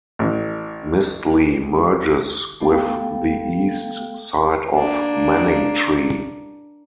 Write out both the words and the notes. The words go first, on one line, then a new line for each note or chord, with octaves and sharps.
Mistley merges with the east side of Manningtree.
A1 E3
A3 B3 A4 F5 G5
A#3 D4